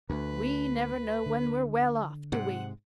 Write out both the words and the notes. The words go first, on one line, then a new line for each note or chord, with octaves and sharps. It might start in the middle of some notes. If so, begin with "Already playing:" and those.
We never know when we're well off, do we?
D2 D3 A3 B4
D3
G#2 C3 F#5